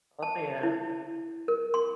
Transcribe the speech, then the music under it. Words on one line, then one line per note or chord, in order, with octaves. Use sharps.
Oh, yeah.
A5
E4
A#4
C6